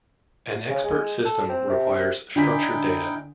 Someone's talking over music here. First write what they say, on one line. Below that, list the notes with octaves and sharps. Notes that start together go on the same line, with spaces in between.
An expert system requires structured data.
C#3
G#3
A4
C4
C3
D3 D#4 E4 G5 G#5 B6